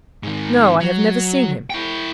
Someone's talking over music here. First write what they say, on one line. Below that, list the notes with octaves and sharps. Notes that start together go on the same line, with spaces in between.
"No, I have never seen him."
G#2 D#3
F#3
E4 G5